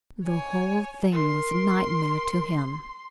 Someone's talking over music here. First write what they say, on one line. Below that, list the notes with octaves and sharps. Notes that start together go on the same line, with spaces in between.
The whole thing was a nightmare to him.
C#5 G#5
A#4 C6